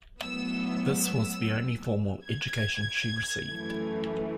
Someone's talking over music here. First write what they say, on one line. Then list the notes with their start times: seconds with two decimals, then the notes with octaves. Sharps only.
This was the only formal education she received.
0.20 A2 F#3 B3 E6
0.61 E6
2.24 G#6
3.47 F#2 E3 A3